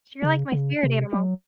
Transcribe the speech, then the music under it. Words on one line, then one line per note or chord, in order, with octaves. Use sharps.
You're like my spirit animal.
C#3
C#3
C3
F#3